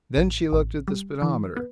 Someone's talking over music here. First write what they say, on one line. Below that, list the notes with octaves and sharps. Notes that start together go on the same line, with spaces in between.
Then she looked at the speedometer.
A1
A1
G3
E3
B3